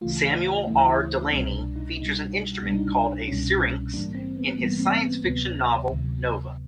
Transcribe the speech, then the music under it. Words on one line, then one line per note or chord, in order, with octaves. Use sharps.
Samuel R. Delany features an instrument called a syrynx in his science-fiction novel "Nova".
D2 C#3 E3 A3 F4
F4
D2 C#3 E3 A3 E4
E4
E4
C2 B2 G3 C4
D4
D#4
C2 B2 G3 D#4
C2 B2 G3 D4
D#4
D4
C2 B2 G3 C#4
A#1 G#2 E3 G3 A#3 D4
C4
B3
A#1 G#2 E3 G3 A#3 B3
C4
B3
D2 C3 D#3 F#3 B3
D2 C3 D#3 F#3